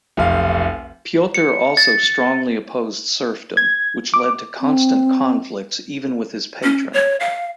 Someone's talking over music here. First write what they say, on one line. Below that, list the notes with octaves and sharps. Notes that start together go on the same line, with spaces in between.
Piotr also strongly opposed serfdom, which led to constant conflicts even with his patron.
F1 B1 F5
C#7
A6
G#6
D6
C4
C#4
C#5
F5